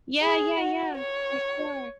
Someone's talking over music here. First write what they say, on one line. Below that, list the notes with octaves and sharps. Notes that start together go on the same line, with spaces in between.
Yeah, yeah, yeah. For sure.
G#4
F#4
C#5